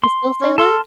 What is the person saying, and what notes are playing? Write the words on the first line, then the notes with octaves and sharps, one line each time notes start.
they still say that?
C6
C#4
A4 A5 C6 F6